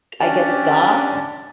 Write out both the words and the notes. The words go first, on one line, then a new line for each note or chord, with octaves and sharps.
k I guess, goth,
C#4 D4 G4 D5